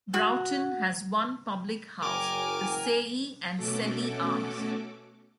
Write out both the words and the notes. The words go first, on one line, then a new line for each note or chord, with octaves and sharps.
Broughton has one public house, the Saye and Sele Arms.
F#4
F#1 F#3 A#4 G5 G#5 D6
B2 A3 C#4 F#4 A4 D6